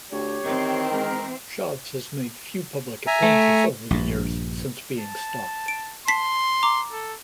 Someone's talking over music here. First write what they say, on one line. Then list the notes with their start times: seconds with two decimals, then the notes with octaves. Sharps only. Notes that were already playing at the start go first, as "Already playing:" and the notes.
Chaves has made few public appearances over the years since being stalked.
0.12 D2 G4 C#5
0.45 D#3 E3 C4
0.92 G#3 A#4
3.07 E5 G#5 A#5
3.23 A3
3.91 A#1 G2
4.99 A5
5.68 D7
6.08 A5 C6 B6 C7
6.63 A#5 D6
6.92 A4